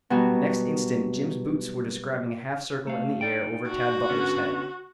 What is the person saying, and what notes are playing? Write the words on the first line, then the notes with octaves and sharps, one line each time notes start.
The next instant Jim's boots were describing a half circle in the air over Tad Butler's head.
B2 F#3 G3 F#4
A3 F5
D#4 D5 G5
F#4
D3 B3 C#4